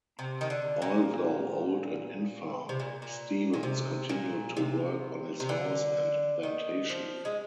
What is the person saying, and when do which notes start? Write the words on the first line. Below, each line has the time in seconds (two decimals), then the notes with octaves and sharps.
Although old and infirm, Stephens continued to work on his house and plantation.
0.19 C3
0.41 D#3
0.50 D3
0.82 A#2
2.69 C3
2.80 A#2
3.02 A#2
3.54 A#2
3.63 C3
4.09 A#2
4.57 C3
5.40 C3
5.49 D3
6.43 D#3
6.89 F3
7.25 G#3